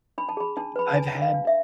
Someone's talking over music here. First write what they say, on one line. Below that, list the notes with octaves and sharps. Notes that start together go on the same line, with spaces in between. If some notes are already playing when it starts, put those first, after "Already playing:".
Y I've had
D4 B5
A5
G#4 B5
D4 A5
B4 B5
A5
D4 G#5
D4
F5
D4
E5